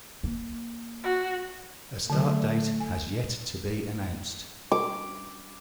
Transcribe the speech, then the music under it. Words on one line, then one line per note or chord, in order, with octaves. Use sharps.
A start date has yet to be announced.
A#3
F#4
D3 F#3 A3
G#5
D6